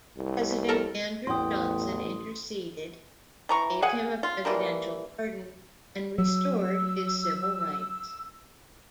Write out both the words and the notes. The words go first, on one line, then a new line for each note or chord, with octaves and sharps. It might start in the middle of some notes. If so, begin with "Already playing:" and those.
President Andrew Johnson interceded, gave him a Presidential pardon, and restored his civil rights.
C2
A4 A#4
A1 E2 G5 C6 D#6
E3 A#5 C#6
G#4 F5 F#5 G#5
F4
E3 F3 G3 A#3
F#3 E6